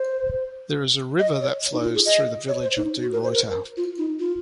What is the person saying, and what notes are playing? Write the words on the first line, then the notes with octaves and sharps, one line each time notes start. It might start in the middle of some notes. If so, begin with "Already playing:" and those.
There is a river that flows through the Village of DeRuyter.
Already playing: C5
D#5
C#5
D#4
F4
G#4
D#5
C#5
C5
D#4
F#4
A#4
C5
A#4
F4
D#4
F4